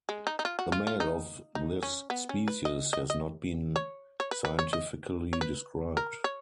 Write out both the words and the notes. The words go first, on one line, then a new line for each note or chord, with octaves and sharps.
The male of this species has not been scientifically described.
G#3
D#4
D#4
F4
F#4
F4
F4
D#4
D#4
C#4
B3
C#4
B4
D#5
D#5
D#5
C#5
C#5
B4
B4
C#5
D#5
C#5
B4
A#4
C#5